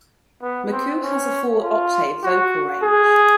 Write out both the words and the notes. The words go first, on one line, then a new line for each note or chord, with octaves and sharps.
McCoo has a four-octave vocal range.
B3
C4
C#4
F4
F#4
G#4